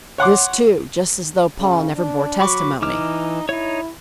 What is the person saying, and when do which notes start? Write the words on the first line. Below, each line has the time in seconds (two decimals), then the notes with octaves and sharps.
"This, too, just as though Paul never bore testimony."
0.18 C#5 F#5 C6 D6
1.60 C#3
1.96 D4
2.40 F#3 B5 C#6 D6
2.82 E3 D#4 D6 F6
3.49 D#4 E4 C#5